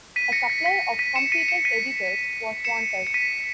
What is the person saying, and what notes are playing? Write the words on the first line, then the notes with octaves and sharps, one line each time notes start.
A supply of competent editors was wanted.
B6 D#7
A#6 C#7
B6
B6
B6 D#7
C#7 E7
B6 D#7
C#7 E7
B6 D#7
C#7 E7
C#7
B6 D#7